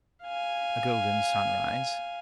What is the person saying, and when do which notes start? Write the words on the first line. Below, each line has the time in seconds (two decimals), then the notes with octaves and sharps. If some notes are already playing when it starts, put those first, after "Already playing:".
A golden sunrise.
0.23 F5 G#5